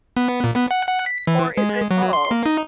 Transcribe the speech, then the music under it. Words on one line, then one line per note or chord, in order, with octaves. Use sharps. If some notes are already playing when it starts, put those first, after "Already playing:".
Or is it both?
B3
A#2
B3
F#5
F#5
B6
E3
G#3
F#3
C6
A#3
D#4